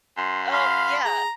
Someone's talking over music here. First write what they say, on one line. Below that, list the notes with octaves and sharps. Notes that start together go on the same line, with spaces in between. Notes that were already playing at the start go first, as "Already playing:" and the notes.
Oh, yeah.
F#2 C6
F5 B5 C6
G#4 A#5